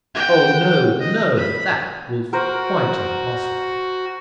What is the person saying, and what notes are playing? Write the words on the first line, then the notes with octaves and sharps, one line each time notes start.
Oh, no, no; that was quite impossible.
F#5 G5
D#5
B5
F#4 A#4 C5